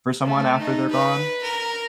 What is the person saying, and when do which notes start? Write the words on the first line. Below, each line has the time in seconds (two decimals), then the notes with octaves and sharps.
for someone after they're gone,
0.25 A3
0.59 D#4
0.91 B4
1.43 A#4